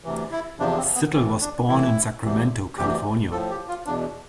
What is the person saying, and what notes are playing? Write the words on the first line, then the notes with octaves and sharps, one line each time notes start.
Zettel was born in Sacramento, California.
D2 C3 E3
E4
E2 C3 F3 D4
C4
B3
A2 E3
D4
A2 E3 E4
D2 C3 E3
D2 C3 E3 G4
A2 F3 A4
G4
F4
E2 B2 D4